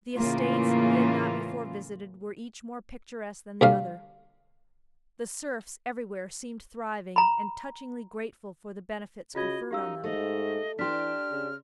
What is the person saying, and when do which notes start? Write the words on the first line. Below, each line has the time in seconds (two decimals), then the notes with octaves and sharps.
The estates he had not before visited were each more picturesque than the other; the serfs everywhere seemed thriving and touchingly grateful for the benefits conferred on them.
0.14 A2 C#3 E3 A#3 F4
3.61 D2 G3 F5
7.16 A#5 B5
9.35 C#3 F4 F#4 D#5 G#6
9.71 F#2 D#4 G4 F5 E6
10.04 G#2 A3 D#5
10.79 E3 D4 G4 C6 F6 B6
11.31 C#3